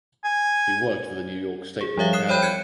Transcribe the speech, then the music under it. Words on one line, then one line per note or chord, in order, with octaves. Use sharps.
He worked for the New York State Board of Housing.
G#5
G#4
F3 G3 C#5 E5 F5
D#6 F#6 C7 E7
C5 C#5 G5 B5 G6
F#6 G#6 C#7